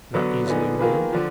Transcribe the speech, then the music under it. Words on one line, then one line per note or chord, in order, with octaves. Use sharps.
"Not easily moved?"
D3 F#3 B3
D3 F3 B3 D#4 G#4
D#3 A#3 F4 G#4 B4
D3 F3